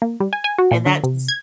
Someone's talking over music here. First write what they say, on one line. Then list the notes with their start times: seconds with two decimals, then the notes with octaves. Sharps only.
And that just
0.02 A#3
0.20 G3
0.33 G#5
0.44 G#5
0.58 F#4
0.71 A#2
0.86 D3
1.03 C3
1.28 G#6